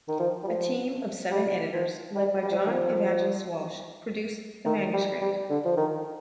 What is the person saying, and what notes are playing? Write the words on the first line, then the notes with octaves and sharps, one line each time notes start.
A team of seven editors led by John Evangelist Walsh produced the manuscript.
D#3
F3
G3
F3
G3
F3
G3
G3
F3
G3
D#3
F3
D#3
G3
G3
D3
F3
D#3